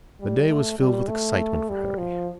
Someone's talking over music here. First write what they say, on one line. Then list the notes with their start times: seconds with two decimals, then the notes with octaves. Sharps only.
The day was filled with excitement for Harry.
0.20 G3
0.49 A3
0.79 G3
1.08 A3
1.69 G3
1.98 F3